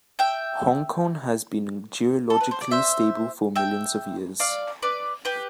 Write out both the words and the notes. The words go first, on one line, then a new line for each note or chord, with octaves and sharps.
Hong Kong has been geologically stable for millions of years.
E5 G5
A4
B4
C5
D5
C5 E5
E5 G5
D5 F5
B4 D5
G4 B4